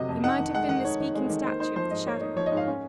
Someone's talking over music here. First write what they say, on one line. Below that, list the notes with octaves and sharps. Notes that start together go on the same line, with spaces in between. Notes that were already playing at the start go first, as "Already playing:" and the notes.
He might have been the speaking statue of the shadow.
Already playing: C3 F#3 D#5
F2
D#4 F#5
D#3
G#3 F#5
D#3 F#5
D#4 C#5
D#3
G#3
D#3
A#3 C5
D#4 C5
F3 C5
G#2 D#5
A#3 C#5
D#4
F3 C#5
D#5
G#2
F5
C#4